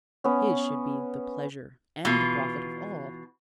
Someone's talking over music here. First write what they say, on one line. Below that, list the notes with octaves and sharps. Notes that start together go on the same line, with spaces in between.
His should be the pleasure and the profit of all.
B3 C#4
B2 E3 F4